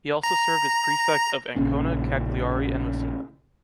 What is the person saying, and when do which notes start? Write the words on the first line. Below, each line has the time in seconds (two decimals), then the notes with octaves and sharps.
He also served as prefect of Ancona, Cagliari, and Messina.
0.23 A#5
1.56 A#1 C#3 C#4